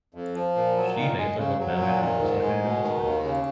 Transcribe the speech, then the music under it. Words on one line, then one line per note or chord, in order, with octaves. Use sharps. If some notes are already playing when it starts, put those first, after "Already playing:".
She later got married and resided in Las Vegas.
F2
F3
A#2
F#3
D#3
G#3
C#3
F#3
A#2
D#3
G#2
G#3
B2
D#3
D#2
C#3